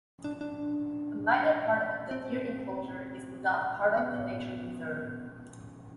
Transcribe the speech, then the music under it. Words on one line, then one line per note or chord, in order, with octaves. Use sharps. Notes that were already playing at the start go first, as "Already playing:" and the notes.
A minor part of the deer enclosure is not part of the nature reserve.
D4
D4
C4
B3